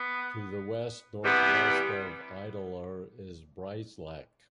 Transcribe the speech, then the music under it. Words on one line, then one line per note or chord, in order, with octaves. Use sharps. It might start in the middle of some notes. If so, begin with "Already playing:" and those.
To the west-northwest of Ideler is Breislak.
Already playing: B3
C3 E3 G3 B3